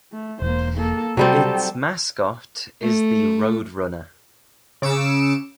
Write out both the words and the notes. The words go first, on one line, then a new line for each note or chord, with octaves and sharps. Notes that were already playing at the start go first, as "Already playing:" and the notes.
Its mascot is the roadrunner.
A3
E1 A#3 C5
A#3 A4
C3 F#3 G3 C4 G4 A4
A3
C#3 D6 E6 C#7 E7